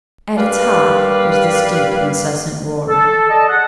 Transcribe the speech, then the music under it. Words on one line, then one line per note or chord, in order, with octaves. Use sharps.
At its heart was this deep, incessant roaring.
G2 G3 A#3 B4 F5
A4
D5 D#5 A5
G#4 F#5